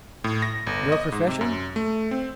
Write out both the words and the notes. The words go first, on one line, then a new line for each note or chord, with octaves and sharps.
"Your profession?"
A2
A#6
G1
D#5
G#2
C3
F#2
A3
C4